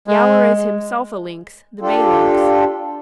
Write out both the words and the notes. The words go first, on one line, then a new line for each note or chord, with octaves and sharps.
Yowler is himself a Lynx, the Bay Lynx.
G#3
D4 F4 G4 A4